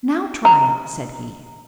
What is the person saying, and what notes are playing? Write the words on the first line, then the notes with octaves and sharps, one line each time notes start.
"Now try it," said he.
A#5